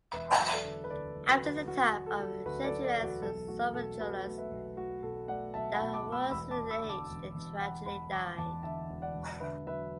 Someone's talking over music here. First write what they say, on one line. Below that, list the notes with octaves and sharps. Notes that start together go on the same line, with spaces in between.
After the time of Aeschylus and Sophocles, there was an age where tragedy died.
E1 B4 E5
F#3 E5
A4 D5
D3
B4
D2 A4 D5
F#3
F#4 B4
D2
F#3 F#4
F#3
A4
F#3
D2 F#4 B4
A4 D5
F#3
A4 D5
E1
F#4
B1 A4
A3 F#4
B2 A4
B1 F#4 B4
A3
B4 E5
B1
A3 F#4
B2 A4
A3 D5 F#5
B1 E5 A5
F#5 B5
B2
A5 D6
A3
B5 E6
E1 B5 E6
A5 D6
E1
B5 E6
D3
A5 D6
E1
E2
E1 F#5 B5
E1 F#5 B5
E1 A5 D6
E2 A5 D6
D3 E5 A5
E1
D5 F#5
E1
D3 B4 E5
F#3 B4 E5